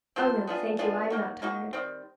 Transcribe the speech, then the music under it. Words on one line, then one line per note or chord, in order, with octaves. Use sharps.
"Oh no, thank you, I'm not tired."
C4 F4 A4 C5
B3 D4 F4 G#4
B3 D4 F4 G#4
A#3 D#4 F#4
A#3 D#4 F#4
D#3 G3 C4